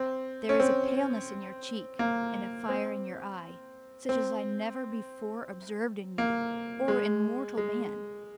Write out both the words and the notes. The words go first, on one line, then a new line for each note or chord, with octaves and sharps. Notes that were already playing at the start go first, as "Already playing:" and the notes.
There is a paleness in your cheek, and a fire in your eye, such as I never before observed in you, or in mortal man.
Already playing: C4
C#4
C4
A#3
C4
C4
A#3
G#3
G#3